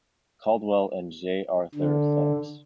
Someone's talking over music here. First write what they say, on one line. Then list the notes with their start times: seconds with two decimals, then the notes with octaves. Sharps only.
Caldwell and J. Arthur Phelps.
1.75 D3